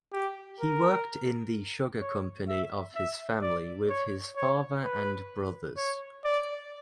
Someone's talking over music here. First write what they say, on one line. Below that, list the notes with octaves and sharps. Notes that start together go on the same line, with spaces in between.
He worked in the sugar company of his family with his father and brothers.
G4
A#4
C#5
E5
E5
D5
C#5
C#5
B4
C#5
D5